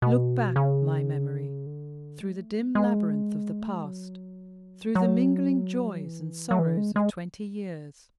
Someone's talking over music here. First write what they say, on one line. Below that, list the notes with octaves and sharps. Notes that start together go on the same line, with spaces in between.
LOOK back, my memory, through the dim labyrinth of the past, through the mingling joys and sorrows of twenty years.
B2
C#3
D3
G#3
A3
G#3
G#3
A3
G#3
F#3
F#3
E3
F#3
E3
G#3
G#3